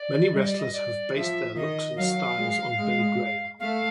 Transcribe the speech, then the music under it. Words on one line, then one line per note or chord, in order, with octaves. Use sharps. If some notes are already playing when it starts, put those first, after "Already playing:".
Many wrestlers have based their looks and styles on Billy Graham.
Already playing: D5
G3 D#5
D5
D#5
D5
F3 E5
D#3 D#5
F#3 F5
G#3
G#3
A3 F5